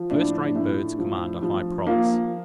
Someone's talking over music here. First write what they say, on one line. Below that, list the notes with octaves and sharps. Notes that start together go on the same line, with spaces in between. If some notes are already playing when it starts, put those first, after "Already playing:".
First-rate birds command a high price.
Already playing: F3
A2 D4
A2
F3
F3
F3 A#3